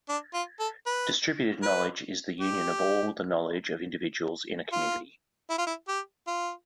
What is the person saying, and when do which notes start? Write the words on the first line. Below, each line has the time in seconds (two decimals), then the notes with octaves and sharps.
Distributed knowledge is the union of all the knowledge of individuals in a community.
0.09 D4
0.34 F4
0.60 A4
0.86 B4
1.62 B4
2.40 G4
4.72 F4
5.50 E4
5.58 F4
5.67 E4
5.88 G4
6.27 F4